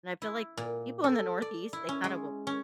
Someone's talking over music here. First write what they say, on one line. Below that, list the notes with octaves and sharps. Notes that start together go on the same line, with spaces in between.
and I feel like people in the Northeast, they kind of will
E4
A#2
A4
D5
E4
C#4
G#3
C#4